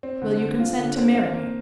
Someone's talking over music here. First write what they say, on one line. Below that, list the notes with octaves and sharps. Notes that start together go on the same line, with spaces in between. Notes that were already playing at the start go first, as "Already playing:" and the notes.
"Will you consent to marry me?"
C4
D3
D3
F4
D3
C4
A#3
A#3